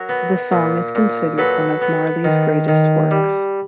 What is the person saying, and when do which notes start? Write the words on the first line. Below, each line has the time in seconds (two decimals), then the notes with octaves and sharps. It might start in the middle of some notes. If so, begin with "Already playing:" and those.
The song is considered one of Marley's greatest works.
Already playing: F#3 A#4
0.09 B3
0.52 A#2
0.95 A#2
1.38 F#3 A4 B4
1.82 B3
2.25 D#3
2.68 D#3
3.11 G3